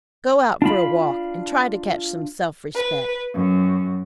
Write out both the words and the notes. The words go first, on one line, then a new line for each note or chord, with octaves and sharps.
Go out for a walk and try to catch some self-respect.
D4 F4 B5
B4
F#2